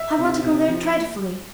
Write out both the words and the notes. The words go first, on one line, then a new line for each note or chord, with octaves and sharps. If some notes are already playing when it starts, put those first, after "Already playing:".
I want to go there dreadfully.
Already playing: E5
C3
C3
F3